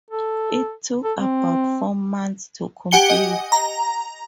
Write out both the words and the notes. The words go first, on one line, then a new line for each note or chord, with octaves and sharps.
It took about four months to complete.
A4
A4
C4
G4 F#5 G#5 C#7 G7
D#5
A#5